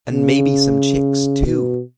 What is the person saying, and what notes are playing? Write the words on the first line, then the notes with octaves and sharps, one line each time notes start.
And maybe some chicks too!!
C#3
B2